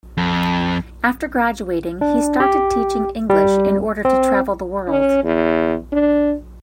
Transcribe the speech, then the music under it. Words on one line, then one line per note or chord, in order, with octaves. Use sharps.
After graduating he started teaching English in order to travel the world.
F2
D4
G4
G3
C4
C#4
E2
D4